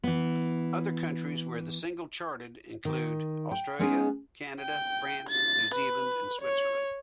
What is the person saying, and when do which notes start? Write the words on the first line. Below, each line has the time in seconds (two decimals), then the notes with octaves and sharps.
Other countries where the single charted include Australia, Canada, France, New Zealand and Switzerland.
0.04 E3 B3
2.85 D#3
3.51 G5
3.79 G#3 B3 C#4 D#4 G#4
4.61 G5
5.29 A6
5.74 B4
6.42 C#5